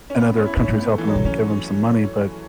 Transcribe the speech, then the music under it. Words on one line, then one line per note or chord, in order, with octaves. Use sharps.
and other countries helping 'em give 'em some money, but
C#4
B3
C#4
E4
C#3
C#4
A2
B3
A3
E3
F#3
B2
C#3 C#4